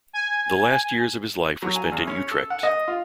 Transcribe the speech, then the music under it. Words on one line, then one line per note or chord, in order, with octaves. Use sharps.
The last years of his life were spent in Utrecht.
G#5
F#3
G#5
E2
C#4
A4
F#5
D#5
F4